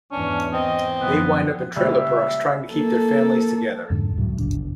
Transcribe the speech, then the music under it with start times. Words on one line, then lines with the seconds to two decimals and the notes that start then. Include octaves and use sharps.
They wind up in trailer parks trying to keep their families together.
0.12 E2 G#2 C#4 D4
0.53 C4 D#5
1.01 F#2 F3 B3
1.76 C#2 A#2 G3 E5
2.73 A#3 A4
3.90 F2 G#2 D3 G#3
4.17 C#2 A2 F#3 G3
4.39 G1 C#3 D4